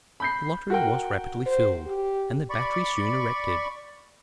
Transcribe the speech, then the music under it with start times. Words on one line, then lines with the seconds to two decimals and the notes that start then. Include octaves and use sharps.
The lottery was rapidly filled, and the battery soon erected.
0.20 B5 G6 C7
0.70 F#4 A#4 G5
1.46 C5
1.87 G4
2.50 D5 B5 C#6